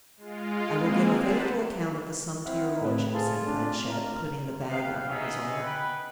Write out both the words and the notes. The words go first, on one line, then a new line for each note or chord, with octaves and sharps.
"I will give a faithful account of the sum to your lordship," said Planchet, putting the bag under his arm.
G#3 F4
G#3 A#3 C4 G#4
B4 C5 F#5 A5 B5
C4 E4 E5 F#5 F6
A2 C#3 A3 C4 B4
F4 G#4 A4
C#4 D4
A#4
B3 F5 G5
B3 C#4 D#4 G#4 D#5 E5
B4 F#5 G5 B5